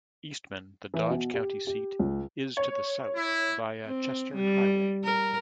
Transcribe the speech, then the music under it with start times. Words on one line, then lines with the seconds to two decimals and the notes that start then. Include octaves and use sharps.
Eastman, the Dodge County seat, is to the south via Chester Highway.
0.94 E3
1.10 B2
1.34 G4
1.67 G4
1.99 C#2
2.57 C#5
3.15 E4
3.86 C4
4.34 G3
5.04 A#4